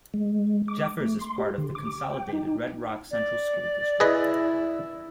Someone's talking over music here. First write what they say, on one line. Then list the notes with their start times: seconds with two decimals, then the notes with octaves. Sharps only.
Jeffers is part of the consolidated Red Rock Central School District.
0.14 G#3
0.68 D6
1.01 A3
1.19 C6
1.38 G4
1.58 D3
1.75 D6
2.10 G5
2.33 D#4
3.11 D5
4.00 E4 G#4 B4 D#5